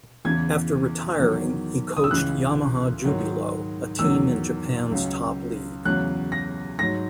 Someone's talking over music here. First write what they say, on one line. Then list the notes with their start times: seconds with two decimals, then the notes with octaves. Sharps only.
After retiring, he coached Yamaha Jubilo, a team in Japan's Top League.
0.25 E2 C#3 E3 G#6
1.19 E2 D#3 F#3
1.97 D#6
2.04 E6
2.11 C#2 C#3 E3 F#6
3.04 G#2 D#3 F#3
3.99 E2 D#3 F#3 E6
4.91 C#2 C#3 F#3
5.85 E2 C#3 F#3 F#6
6.32 A#6
6.79 G#2 F#3 A#6